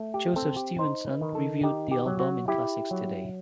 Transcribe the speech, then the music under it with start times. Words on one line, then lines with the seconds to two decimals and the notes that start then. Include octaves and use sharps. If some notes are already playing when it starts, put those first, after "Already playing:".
Joseph Stevenson reviewed the album in "Classics Today".
Already playing: A3
0.14 G4
0.36 C4 A4
0.57 G4
0.79 D#4 C5
1.06 B4
1.21 D#3
1.35 A4
1.63 D#4 G4
1.91 G4
2.06 F#3
2.20 F#4
2.48 E4 G4
2.91 F#3